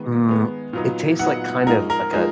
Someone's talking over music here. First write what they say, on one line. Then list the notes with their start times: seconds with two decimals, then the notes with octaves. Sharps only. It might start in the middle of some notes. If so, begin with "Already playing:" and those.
mm, it tastes like, kind of, like a
Already playing: D#3 G#3 B3
0.27 D#3 G#3 B3
0.73 A#2 F#3 B3 D#4
1.19 A#2 F#3 B3 D#4 F#5
1.67 F3 G#3 D#4 A#4
1.90 A#4
2.13 F3 G#3 D#4